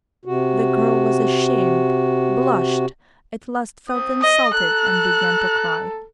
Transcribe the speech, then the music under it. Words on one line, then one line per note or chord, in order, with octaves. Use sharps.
The girl was ashamed, blushed, at last felt insulted, and began to cry.
C3 F#4
C4 D#6
D#5
A4 A#5 F#6